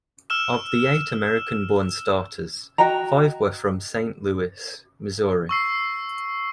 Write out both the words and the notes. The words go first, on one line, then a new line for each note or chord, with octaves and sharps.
Of the eight American-born starters, five were from Saint Louis, Missouri.
E6 F6 E7
F#4 D#5 G5 A#5
C#6 E6 C7